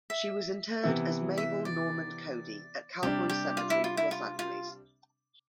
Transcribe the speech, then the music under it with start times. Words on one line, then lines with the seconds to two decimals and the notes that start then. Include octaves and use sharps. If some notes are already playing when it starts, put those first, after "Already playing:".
She was interred as Mabel Normand-Cody at Calvary Cemetery, Los Angeles.
0.10 E5
0.84 C3 E3 B3 E4
1.38 E5
1.65 D5
3.02 C3 G3 D4 G4
3.30 G4
3.57 F4
3.70 E4
3.84 F4
3.97 E4
4.11 F4
4.39 F4